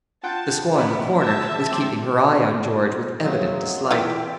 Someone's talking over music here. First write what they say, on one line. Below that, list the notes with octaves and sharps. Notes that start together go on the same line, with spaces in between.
The squaw in the corner was keeping her eye on George with evident dislike.
F4 F#5 G5 A5
D#2 B3 C#4 E4 B5
A#1 E5 A5 E6
G2 C4 D6
F#2 A2 C#3 F#3 G#3
E3 E4 F4 G5 E6 B6